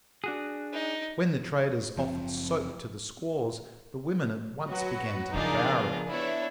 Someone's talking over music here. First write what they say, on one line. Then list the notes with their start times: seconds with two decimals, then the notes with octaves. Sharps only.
When the traders offered soap to the squaws, the women at once began to devour it.
0.24 D4 F#4 G#4
0.73 D#4
1.97 F#1 F3 C4
4.66 F#3 F#4 B4
5.34 C#3 F3 D4 D#4 F4 G#4 A#4 D5
5.72 B3
6.08 B3 D4 E4 C#5 E5